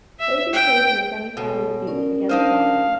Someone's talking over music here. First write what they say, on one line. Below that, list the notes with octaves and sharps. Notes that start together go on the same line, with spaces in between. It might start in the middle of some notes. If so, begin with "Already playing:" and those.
Hogan played in the semi final defeat against Balmain.
E5
G5
B2 A4 C#5
C#4 A#4 D5
D4 D#4 C5 F5